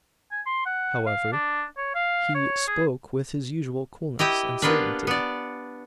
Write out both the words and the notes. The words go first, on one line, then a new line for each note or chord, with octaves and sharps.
However, he spoke with his usual coolness and certainty.
G#5
C6
F#5
F5
D4
C#5
F5
C#5
G#4
E4 G4 D#5 G5
A#3 B3 D4 F4 B4
B3 D5